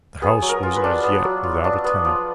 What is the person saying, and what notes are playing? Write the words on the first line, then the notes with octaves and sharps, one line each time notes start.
The house was as yet without a tenant.
B3 G#4
F#3
A#4
F4
B4
D4
B3
F#3
F4
D4
B3
F3